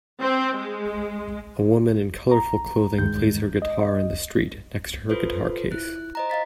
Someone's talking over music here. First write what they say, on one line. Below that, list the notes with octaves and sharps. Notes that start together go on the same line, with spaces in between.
A woman in colorful clothing plays her guitar in the street, next to her guitar case.
C4
G#3
A#5
D2 G2 D#3 G#3 G6
D#5
F4 A4 B4 C5
E4 F#6
C5 D#5 A#5
D#5 F5 A6 B6